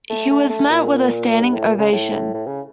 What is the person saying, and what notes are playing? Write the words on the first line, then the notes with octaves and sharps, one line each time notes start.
He was met with a standing ovation.
A3
A3
A3
A#2
G2
A2
A#2
C#3
A2
A2
C#3